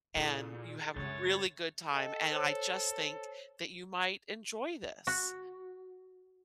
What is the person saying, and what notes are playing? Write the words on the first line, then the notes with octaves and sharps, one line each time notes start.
and you have a really good time, and I just think that you might enjoy this,"
A#2 E4 G#4 A4
B1 F#2 C#3 G#3 C#5 A6
A4 D#5 G5
C5 C#5
F#4